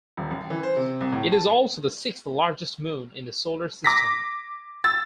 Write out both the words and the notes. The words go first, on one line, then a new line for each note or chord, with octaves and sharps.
It is also the sixth-largest moon in the Solar System.
D#1
A1
E3
C5
C3
C2
A2
A5
D6 A#6 B6
E6 A6